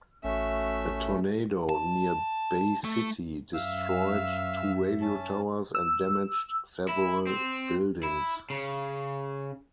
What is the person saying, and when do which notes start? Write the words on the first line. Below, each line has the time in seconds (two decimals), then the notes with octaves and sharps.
A tornado near Bay City destroyed two radio towers and damaged several buildings.
0.24 A1 A3 C#4 F#4 E5
1.69 A5
2.85 A3
3.54 F#2 E5 F5 E6
5.01 C#4 A5
5.75 E6
6.89 E4
7.27 C4
8.03 E4
8.50 C#3